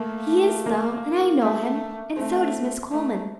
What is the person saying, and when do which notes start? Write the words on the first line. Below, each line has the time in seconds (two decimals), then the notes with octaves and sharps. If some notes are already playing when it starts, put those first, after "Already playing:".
"He is, though; and I know him, and so does Miss Coleman."
Already playing: A3 A#3
0.66 A#3
1.41 A3
2.16 A3 C4
2.91 A3